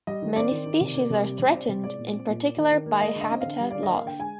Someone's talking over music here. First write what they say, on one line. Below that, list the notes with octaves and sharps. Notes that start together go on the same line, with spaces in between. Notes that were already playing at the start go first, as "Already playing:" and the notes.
Many species are threatened, in particular by habitat loss.
G3 D#5
D#3
C4 D5
D#3
D#3
C3
A#3
C3
G3
C3
C4
C3
G#3 D5
A#2
C4
A#2
A#3
D#3
D#3
A#3
G#3 D#5
D3
D#5
C4
D3 F5
G3
D3 D5
D#5
A#3
F5
D3 G5
G#3 G#5